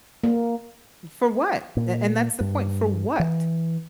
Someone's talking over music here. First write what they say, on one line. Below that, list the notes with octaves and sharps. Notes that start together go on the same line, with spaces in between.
for what, a and that's the point, for what?
A#3
A#2
G2
E3